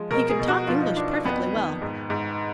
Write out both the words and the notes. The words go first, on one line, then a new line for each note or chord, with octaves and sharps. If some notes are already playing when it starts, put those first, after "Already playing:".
He could talk English perfectly well.
Already playing: F3 G#3
B2 A#4
G#4
B2
F#4
F3 F4
D#4
F3 D4
D4
F2 B3
D#3
G#2
G#2